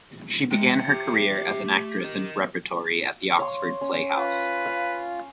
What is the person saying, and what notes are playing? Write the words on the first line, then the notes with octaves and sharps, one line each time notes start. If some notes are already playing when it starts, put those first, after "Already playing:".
She began her career as an actress in repertory at the Oxford Playhouse.
G#3 E5 G5
G4
A3
A#4 D#5
C#5 F5 C6
C#4
F4 B4
F5